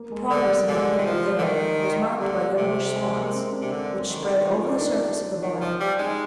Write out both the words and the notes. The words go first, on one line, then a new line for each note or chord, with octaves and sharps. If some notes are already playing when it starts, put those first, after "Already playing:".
The progress of the heat within was marked by yellowish spots, which spread over the surface of the body.
Already playing: A#3
G#3
D3 A#3
G3
D3 G#3
D#3
F3
D3
D#3
D3 G3
C3
G#3
A#3
C4
D4
C3
D3
D#3
D3
D#3
F4
D#4
D4
D#4
D#3
F3
G3
G#3 D#4